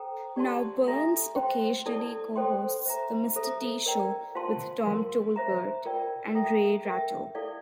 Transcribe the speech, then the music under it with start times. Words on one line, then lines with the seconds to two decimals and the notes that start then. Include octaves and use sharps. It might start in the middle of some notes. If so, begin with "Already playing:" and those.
Now Byrnes occasionally co-hosts the Mr. T. show with Tom Tolbert, and Ray Ratto.
Already playing: A4 C5 G5 A#5
0.36 G4 D5 A5 C6
0.86 D4 A4 E5 A#5
1.36 C5 G5 C6
1.86 E4 A4 D5 A5
2.36 A4 C5 G5 C6
2.85 C5 E5 A#5
3.36 A4 C5 E5 A#5
3.86 A#4 D5 G5 A#5
4.35 F4 C5 F5 A5 C6
4.86 A#4 F5 C6
5.36 C5 E5 A#5
5.85 F4 A#4 D5 G5
6.35 A4 E5 G5 A#5
6.85 A#4 E5 G5
7.35 E4 A4 D5 F5